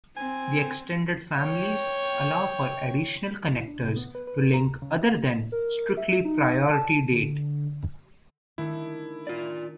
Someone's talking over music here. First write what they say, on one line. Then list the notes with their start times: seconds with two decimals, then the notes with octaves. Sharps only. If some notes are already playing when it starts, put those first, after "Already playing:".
The extended families allow for additional connectors to link other than strictly priority date.
0.16 C4 G#5
1.37 C#5 G5
3.53 E4
3.68 D4
3.84 C3
3.96 B3
4.15 B4
4.27 B4
4.54 A#5
4.67 D2
4.82 C#3
5.52 A#4
5.97 E5
6.25 D#4
6.70 A5
7.12 D3
8.58 D#3 A3 D4 E4
9.27 F4 D5